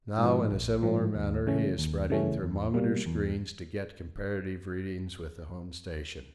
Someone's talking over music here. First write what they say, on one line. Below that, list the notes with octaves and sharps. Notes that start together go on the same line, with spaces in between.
Now in a similar manner he is spreading thermometer screens to get comparative readings with the home station.
G#2 F3
A#1
G#2 F3
D#2
C#3 E3 A3 C#4
D#2
C#3 E3 A3 C#4
E2
B2 G3 A#3
E2